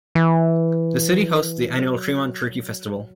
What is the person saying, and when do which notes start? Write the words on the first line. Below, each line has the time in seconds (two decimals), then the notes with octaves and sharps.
The city hosts the annual Tremont Turkey Festival.
0.15 E3
1.77 F#3